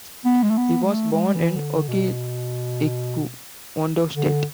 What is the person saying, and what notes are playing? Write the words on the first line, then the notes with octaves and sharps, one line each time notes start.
He was born in Oke-Igbo, Ondo State.
B3
G#3
A3
B3
G#3
A3
G#3
E3
D3
B2
D3